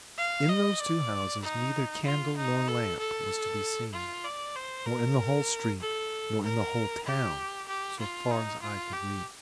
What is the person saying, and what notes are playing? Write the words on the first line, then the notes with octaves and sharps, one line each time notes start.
In those two houses neither candle nor lamp was to be seen; nor in the whole street; nor in the whole town, so far as eye could reach.
F5
D#5
D5
D#4
F4
D#4
A4
A4
F4
D5
C5
A#4
A4
A#4
G4
G4
F4
D#4
F4
G4